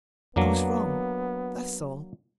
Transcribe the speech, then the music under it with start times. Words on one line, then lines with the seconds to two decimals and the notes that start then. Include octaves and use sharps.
I was wrong, that's all.
0.36 F2 F#3 A#3 B3 D4